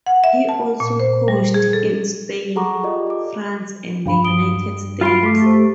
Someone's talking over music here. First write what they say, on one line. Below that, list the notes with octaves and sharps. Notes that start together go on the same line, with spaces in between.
He also coached in Spain, France, and the United States.
F#5
E5
A5
A#2
C5
G3
G#4
A4
G#4 A4 F#5 A#5 C#6 D6
F4 G4 A4 D5 D#5
D#5 D6
G2 F3 D4 F5 B5
D#6 D7 G7
G2
F4 F5 B5 C6 C7 D7
A3 D6 B6 C7
G4 C5